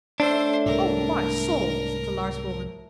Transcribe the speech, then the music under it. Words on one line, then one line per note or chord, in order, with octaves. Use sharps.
"O my soul!" said the large woman.
A2 A3 D4 C5
C2 G#2 A#4